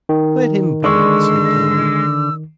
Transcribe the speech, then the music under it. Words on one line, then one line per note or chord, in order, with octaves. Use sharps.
"Let him bite," said Tom.
D#3
D3 G#3 D5 C#6 E6